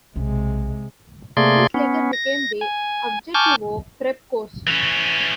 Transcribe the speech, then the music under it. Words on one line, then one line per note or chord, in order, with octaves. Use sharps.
This later became the Objetivo prep course.
B1 C3 G#3
C3 A3 A#3 G#4 D5 C6
B3 C#4
A#6
G#5
G#5 A5 C#6 D6 F6 G6
E3 C#4